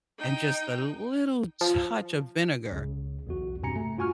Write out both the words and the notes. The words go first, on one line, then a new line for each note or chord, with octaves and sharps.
and just a little touch of vinegar
D#4 G5
F3
C#2 C#3
B1 E2 F#4
G2 C3 G#5 A#5 C#7
A3
G2 F4 F#4 G#5 C#6 F6